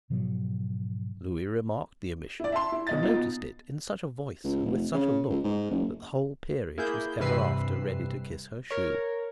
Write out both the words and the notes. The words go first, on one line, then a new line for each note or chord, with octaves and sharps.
Lewis remarked the omission, and noticed it in such a voice and with such a look that the whole peerage was ever after ready to kiss her shoe.
G#2 B2 F3 F#3
E4 D5
E5 A5 C6
E4
B1 D#5 A6
B3 D#4 F4
B2
C#2
F1
C#3
C#2
G#2
F#1
A#3 E4 G#4 G6
G2 C3 E3 B4 E6 C7
A#4 C#5